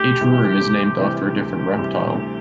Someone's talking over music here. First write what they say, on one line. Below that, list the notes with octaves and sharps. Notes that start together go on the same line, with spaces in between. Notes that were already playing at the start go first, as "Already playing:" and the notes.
Each room is named after a different reptile.
Already playing: D2 G4
C3 E3 G3
D2
C3 E3 G3
D2
C3 E3 G3
D2